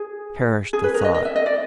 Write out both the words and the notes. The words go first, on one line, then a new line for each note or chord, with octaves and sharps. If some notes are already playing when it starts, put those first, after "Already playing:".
Perish the thought!
Already playing: G#4
G#4
B4
A#4
D#5
D#5
E5
D#5
D5